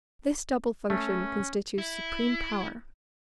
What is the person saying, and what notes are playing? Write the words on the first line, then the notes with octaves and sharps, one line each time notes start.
This double function constitutes supreme power.
A3 C#4
E4